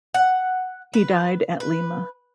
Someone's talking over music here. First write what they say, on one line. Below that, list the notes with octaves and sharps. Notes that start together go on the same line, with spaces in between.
He died at Lima.
F#5
B4
B4